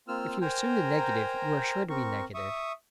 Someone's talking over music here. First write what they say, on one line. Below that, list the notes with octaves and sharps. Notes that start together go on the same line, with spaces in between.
If you assume the negative you are sure to be negative.
A#3 C4 F4 E6 F6
A#4 C5 G5 G#5 A#5
C4 A#4 C#6
E5 C#6 D#6